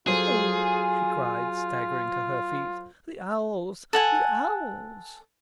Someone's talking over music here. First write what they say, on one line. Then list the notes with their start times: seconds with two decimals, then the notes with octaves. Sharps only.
"Oh," she cried, staggering to her feet, "the owls, the owls!"
0.07 F#3 F4 G#4 A4 C5
3.93 A4 F#5 G#5